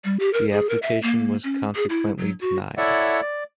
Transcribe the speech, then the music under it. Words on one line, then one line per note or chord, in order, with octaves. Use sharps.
The application was consequently denied.
G3
G4
A#4
G#4
A#4
E5
A#3
C#4
G#4
E4
F#3
F#4
E4 A4 C#5 D5 E5 F#5
D5